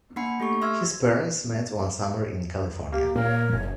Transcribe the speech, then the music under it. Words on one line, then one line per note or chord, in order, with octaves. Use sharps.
His parents met one summer in California.
A#3 D4 F#5 B5 C#7
A3 G4 A4 C#6
E5 C6 E6 F6 G#6
A#3 G4
A#2 A#3 A#4 C#5
F#1